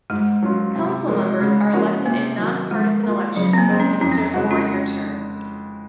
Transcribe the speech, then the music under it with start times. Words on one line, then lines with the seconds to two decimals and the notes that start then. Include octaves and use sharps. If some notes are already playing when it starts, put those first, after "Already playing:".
Council members are elected in nonpartisan elections and serve four year terms.
0.10 G#2 G#3
0.43 F#3 C#4 F4
0.75 C3
1.08 F3 G#3 D#4 A#4
1.40 C#3 G#3
1.73 F3 A#3 C#4 F#4
2.06 C3 A#3
2.38 D#3 F#3
2.71 F3 G#3
3.03 A#3 F4
3.36 C#3 F#3
3.53 C4
3.58 A#3
3.69 G#3 C4 D#4
3.80 C#4
4.01 F2 C#4
4.12 C4
4.18 C#4
4.34 C#3 G#3 C#4 F#4
4.51 C#4 F4